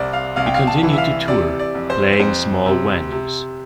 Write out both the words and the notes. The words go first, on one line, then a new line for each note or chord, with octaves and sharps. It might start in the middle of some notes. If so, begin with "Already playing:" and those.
He continued to tour, playing small venues.
Already playing: C2 C3 C5 D5
F5
C2 F5
G5
F5
A5
E3
E5
F5
C3 D5
D5
F2
C5
F2 C5
C3
C3